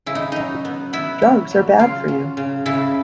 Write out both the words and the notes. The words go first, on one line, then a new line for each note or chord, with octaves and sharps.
Drugs are bad for you.
C#3 E4
D#4
F#3 D#4
B3
B3 E4
F#3
F#3
C#3 F4
F#3
C#3
C#3 E4